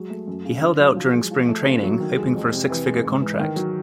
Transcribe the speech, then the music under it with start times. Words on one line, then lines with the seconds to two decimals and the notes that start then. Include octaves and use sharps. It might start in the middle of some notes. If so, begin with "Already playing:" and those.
He held out during spring training, hoping for a six-figure contract.
Already playing: F#3 G#3
0.10 A3
0.28 F#2
0.45 C#3
0.62 D3
0.80 F#3
0.96 F3
1.13 G#3
1.31 F3
1.49 A3
1.66 C#3
1.83 F#3
2.00 D#3
2.17 G#3
2.35 F2
2.52 C3
2.70 E3
2.86 G#3
3.05 G#2
3.21 E3
3.39 D#3
3.56 F#3